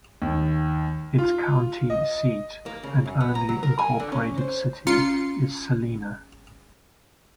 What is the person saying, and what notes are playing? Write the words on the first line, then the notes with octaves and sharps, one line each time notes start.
Its county seat and only incorporated city is Celina.
D#2
F4
D#5
A#3
C#3
F#2
B3
A#5
F#3
A#4
G#5
D3
C#4
C5
C#4 F4 C6 C#7